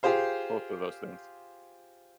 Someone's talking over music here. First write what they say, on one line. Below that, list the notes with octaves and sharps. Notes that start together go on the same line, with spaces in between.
Both of those things.
F4 G4 G#4 C5 F5